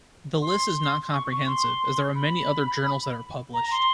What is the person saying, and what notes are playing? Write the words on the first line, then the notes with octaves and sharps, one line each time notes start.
The list is not comprehensive, as there are many other journals that are published.
C6
C#6
C#6
C6
B5
A#5
C6